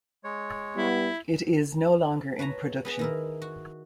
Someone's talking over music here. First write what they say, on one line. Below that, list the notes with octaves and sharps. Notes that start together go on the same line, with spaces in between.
It is no longer in production.
G#3 C#5
G3 B3 E4
B4 C#5 A5 A#5
B3 G#4 B4
D#3 E4 A#4
F#4